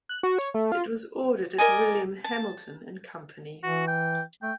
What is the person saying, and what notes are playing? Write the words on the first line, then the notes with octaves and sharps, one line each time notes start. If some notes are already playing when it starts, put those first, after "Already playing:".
It was ordered at William Hamilton and Company.
F#6
F#4
C#5
A3
F4
A#4 D5 D#5 G#5
A5
E3 F#4
G5
A3 G5